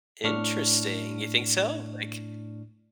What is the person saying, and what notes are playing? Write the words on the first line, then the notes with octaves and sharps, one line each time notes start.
Interesting, you think so? Like,
A2 D4 C#6 F6